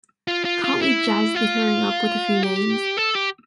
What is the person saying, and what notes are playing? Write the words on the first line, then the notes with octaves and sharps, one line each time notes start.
Can't we jazz the hearing up with a few names?
F4
F4
F4
E4
F4
G4
A4
G4